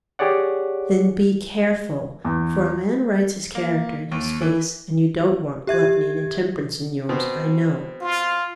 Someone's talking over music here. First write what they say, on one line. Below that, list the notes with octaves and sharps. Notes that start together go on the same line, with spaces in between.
'Then be careful; for a man writes his character in his face; and you don't want gluttony and intemperance in yours, I know.'
G4 G#4 C#5 D5 F#5
E2
A#3
D#2
E3
G4 E5 G#6
B2 C4
F4